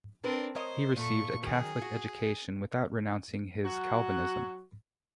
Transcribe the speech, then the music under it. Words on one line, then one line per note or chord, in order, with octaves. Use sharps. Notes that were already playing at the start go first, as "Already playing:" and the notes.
He received a Catholic education without renouncing his Calvinism.
C4 D4 A#4 B4
A#4 C5 C#5 D#5
A#2 A3 C#6
D#3 F#3 C#4 G#4
F#4
F#3 F#4